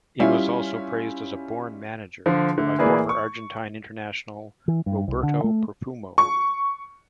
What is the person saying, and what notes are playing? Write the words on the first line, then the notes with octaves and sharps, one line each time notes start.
He was also praised as a "born manager" by former Argentine international Roberto Perfumo.
G3 C#4 E4 F4
D3 F3
D3 A3
E3 A#3 G#4 B4 D5
C#6
E3
G2
C2
D3
A3
C#6